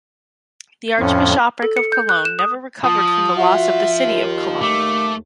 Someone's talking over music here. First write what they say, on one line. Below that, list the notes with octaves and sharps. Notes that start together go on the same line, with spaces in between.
The Archbishopric of Cologne never recovered from the loss of the city of Cologne.
F2 A2 F3 C#4
A4
C#7
G6
F#6
E7
D#6
F3 A5 D#6
F#4 E5
D#2
A3 D6